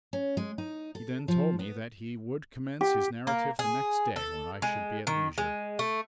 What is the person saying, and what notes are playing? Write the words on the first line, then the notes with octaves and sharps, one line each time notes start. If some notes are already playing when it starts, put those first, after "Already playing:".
He then told me that he would commence his narrative the next day when I should be at leisure.
C#4
G#3
D#4
A4
F3
B3
G4
A#3
G#4
A4
G#3
D#3
G#3
A3